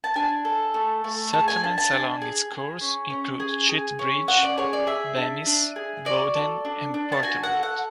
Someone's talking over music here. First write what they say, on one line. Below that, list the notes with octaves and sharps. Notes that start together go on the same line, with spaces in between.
Settlements along its course include Cheat Bridge, Bemis, Bowden, and Porterwood.
A5
D4 G#5
A4
A3
A3
G#4 A5
G#5
D4 A5
A5
D4 G#5
G#4
G#4
C#4
C#4
G#4
G#4
C#4
C#4 F#5
D5
G#4 C#5
D5
G#4 E5
D4
D4
G#4
F#4 D5
A4
D4
D4
A5
F#4 G#5
F#5
A4
F#5